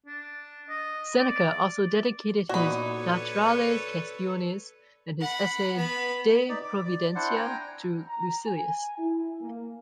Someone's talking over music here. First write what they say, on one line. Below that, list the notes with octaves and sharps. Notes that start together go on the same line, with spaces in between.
Seneca also dedicated his "Naturales Quaestiones" and his essay "De Providentia" to Lucilius.
D4
D#5
D5
A#2 B3 D#4 F#4 D5 B5
A4 B4 C#5
F#5 B5
B3 B5
D#4 D5
D6
D5
D4 E4 C5 F#5
G5 G#5 A#5
A#5
G#5
E4
A#3